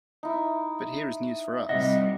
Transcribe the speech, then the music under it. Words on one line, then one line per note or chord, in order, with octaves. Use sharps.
But here is news for us.
D#4 E4
C3 G3 D#5 E5 F#5